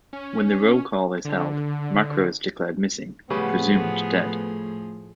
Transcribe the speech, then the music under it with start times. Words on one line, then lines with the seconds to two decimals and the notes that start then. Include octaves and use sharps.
When the roll-call is held, Macro is declared missing, presumed dead.
0.13 C#4
1.25 D3
3.30 A2 C#3 F3 G3 A3 B3 G#4 B4